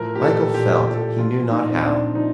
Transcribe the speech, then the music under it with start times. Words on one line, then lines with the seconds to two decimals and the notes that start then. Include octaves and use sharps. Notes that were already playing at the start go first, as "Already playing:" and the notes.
Michael felt he knew not how.
Already playing: A2 F3 A#4
0.15 G4
0.22 A#2 A4
0.54 A#2 G4
0.87 F3 G4
0.94 A4
1.01 G4
1.18 F3 F4
1.50 A#2 D#4
1.70 C4
1.83 A#2 D4
2.15 F3 D#4